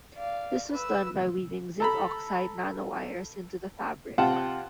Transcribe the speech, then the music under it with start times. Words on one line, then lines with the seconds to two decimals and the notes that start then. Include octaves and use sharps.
This was done by weaving zinc oxide nanowires into the fabric.
0.15 D5 F5
0.71 B4 E6
1.80 A4 A#5 B5
4.18 C3 F4 F#5 G5 A5